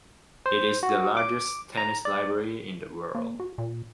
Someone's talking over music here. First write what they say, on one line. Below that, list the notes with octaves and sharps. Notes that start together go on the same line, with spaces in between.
It is the largest tennis library in the world.
C5
F#4
D6
A#5
D5
A#3
F#4
A#2